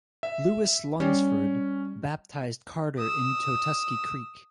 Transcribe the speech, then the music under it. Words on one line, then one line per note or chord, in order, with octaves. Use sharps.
Lewis Lunsford baptised Carter in Totuskey Creek.
E5
G3 C#4
D#6 E6